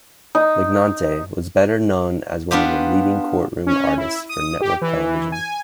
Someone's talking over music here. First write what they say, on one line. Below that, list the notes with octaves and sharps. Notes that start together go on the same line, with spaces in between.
Lignante was better known as one of the leading courtroom artists for network television.
D#4
B3 D4 F4 G4
C#4
E4
D#6
G4
E3
G#5